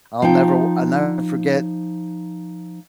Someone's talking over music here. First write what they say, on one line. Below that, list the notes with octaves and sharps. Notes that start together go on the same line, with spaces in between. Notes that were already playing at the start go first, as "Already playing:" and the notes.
I'll never w I'll never forget
F3 D#4 G5